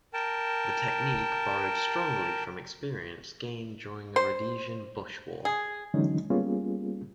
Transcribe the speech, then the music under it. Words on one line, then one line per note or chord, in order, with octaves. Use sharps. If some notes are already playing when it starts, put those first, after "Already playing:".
The technique borrowed strongly from experience gained during the Rhodesian Bush War.
A#4 G5 A5
C5
G#4
D3 E3 F#3 G#3 C#4 D#4
G3 A#3 B3 C#4 F4 G#4